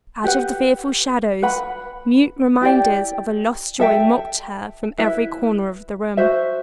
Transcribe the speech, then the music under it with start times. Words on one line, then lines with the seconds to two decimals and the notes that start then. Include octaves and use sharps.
Out of the fearful shadows, mute reminders of a lost joy mocked her from every corner of the room.
0.24 G4 B4 F#5
1.42 B4 F#5 B5
2.61 E4 G4 D5 G5
3.80 A4 E5 G5
4.98 E4 B4 E5
6.17 F#4 C5 E5